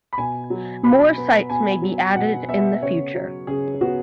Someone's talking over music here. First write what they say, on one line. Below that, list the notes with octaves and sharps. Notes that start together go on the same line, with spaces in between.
More sites may be added in the future.
B5
B2 G#5
F#3
B2 B5
B3
B2 G#5
F#3
B2 F#5
B3 E5
C#3 C#5
F#3
C#3 G#4
B3 F#4